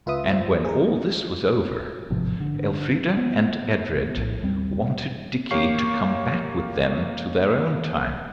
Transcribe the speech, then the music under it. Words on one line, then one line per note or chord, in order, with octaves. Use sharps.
And when all this was over, Elfrida and Edred wanted Dickie to come back with them to their own time.
C#2 F4 B4 E5 D#6
F4 C5
G#4 A#4
A1 G#2 C3 F3
D3
B3
A#1 A2
D#2 G3 C4
A#3 G4 C#5 F5 C#6 C7